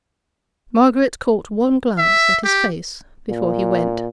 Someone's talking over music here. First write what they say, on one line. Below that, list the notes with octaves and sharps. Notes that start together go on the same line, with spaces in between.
Margaret caught one glance at his face before he went.
E5
G4
A#2